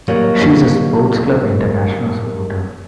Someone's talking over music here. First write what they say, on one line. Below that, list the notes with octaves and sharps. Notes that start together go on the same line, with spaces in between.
She is a Sport Club Internacional supporter.
D#3 F#3 G3 A#3